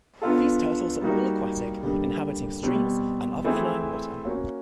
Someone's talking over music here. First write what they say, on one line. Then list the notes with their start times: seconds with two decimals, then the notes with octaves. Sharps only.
These turtles are all aquatic, inhabiting streams and other flowing water.
0.22 B3 D4 F4 A4
1.02 G3 A#3 D#4 F#4
1.83 D3 G3 A#3
2.63 B2 G3 C4
3.44 E3 A3 C4 E4 G#4
4.25 A#3 C#4 F#4